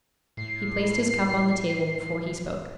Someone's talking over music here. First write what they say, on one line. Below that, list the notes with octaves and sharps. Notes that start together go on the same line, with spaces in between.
He placed his cup on the table before he spoke.
A2 C7